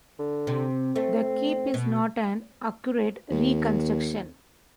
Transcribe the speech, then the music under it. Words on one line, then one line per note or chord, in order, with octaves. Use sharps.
The keep is not an accurate reconstruction.
D3
C3
A3 C4
B2
D#2